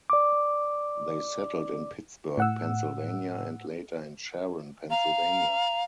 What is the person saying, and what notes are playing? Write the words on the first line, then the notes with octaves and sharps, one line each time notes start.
They settled in Pittsburgh, Pennsylvania and later in Sharon, Pennsylvania.
D5 D6
A2 F#5 E6
F5 A#5